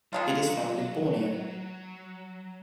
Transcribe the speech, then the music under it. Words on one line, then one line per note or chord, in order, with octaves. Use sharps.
It is found in Borneo.
D#3 F#3 G#3 F4